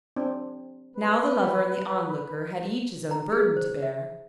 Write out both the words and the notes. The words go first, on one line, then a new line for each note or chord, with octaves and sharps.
Now the Lover and the Onlooker had each his own burden to bear.
C4 D4
B4
A#5
G#4
C5
E5